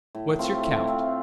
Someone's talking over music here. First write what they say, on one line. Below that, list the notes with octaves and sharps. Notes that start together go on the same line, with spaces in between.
"What's your count?"
A2
A3 C4 F4
A2
A3 C4 F4